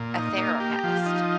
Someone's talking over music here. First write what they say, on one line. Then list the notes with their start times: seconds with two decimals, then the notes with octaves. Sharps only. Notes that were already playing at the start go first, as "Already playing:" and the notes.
a therapist
Already playing: A#2
0.15 D#4
0.38 A#3
0.60 G4
0.84 F3
1.06 D#4